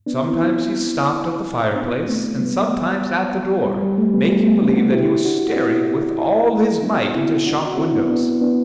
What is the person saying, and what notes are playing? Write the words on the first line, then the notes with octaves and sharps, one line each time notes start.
Sometimes he stopped at the fire-place, and sometimes at the door, making believe that he was staring with all his might into shop-windows.
B3 D4
C4 E4
B3 D4
A3 C4
G3 B3
G3
G3
A3
G3 B3
G3
A3
G3 B3
D4 F#4
E4 G4
D4 F#4
F#4
C4 E4
B3 D4
F#4
C4 E4
D4 F#4
D4 F#4
C4 E4
B3 D4
B3 D4
B3 D4